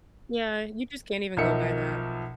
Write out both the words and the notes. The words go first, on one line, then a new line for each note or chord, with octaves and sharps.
Yeah, you just can't even go by that.
B1 F3 D#4 A#4 E5 C#7